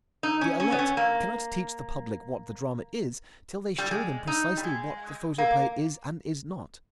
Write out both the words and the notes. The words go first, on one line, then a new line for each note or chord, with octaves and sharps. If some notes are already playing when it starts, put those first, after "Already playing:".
The elect cannot teach the public what the drama is till they show them precisely what the photoplay is and is not.
D#4
C#4
C#4
B3
C#4
A#3
G3
G#3
D#4
G3
G#3
A#3